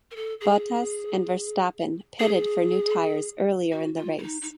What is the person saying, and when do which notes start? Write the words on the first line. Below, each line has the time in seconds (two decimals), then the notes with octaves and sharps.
Bottas and Verstappen pitted for new tyres earlier in the race.
0.11 A#4
0.16 A4
0.41 G#4
2.19 G#4
3.72 F#4
3.97 F4
4.18 E4
4.23 D#4
4.42 D#4